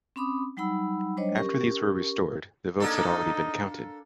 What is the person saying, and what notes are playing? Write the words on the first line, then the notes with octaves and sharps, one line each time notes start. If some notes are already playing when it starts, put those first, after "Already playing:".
After these were restored, the votes had already been counted.
C4 C#4 B5 D6 D#6
F#3 G3 D#4 F#5 B5 E6
F#3 G3 D4 C5 C#5 D#5
C#4 G4 A#4 C#6
A#3 D4 D#4 A4